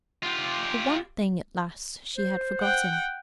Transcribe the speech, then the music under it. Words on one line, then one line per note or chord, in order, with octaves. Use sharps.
But one thing--at last--she had forgotten.
F4 G4
C5
F#5 G5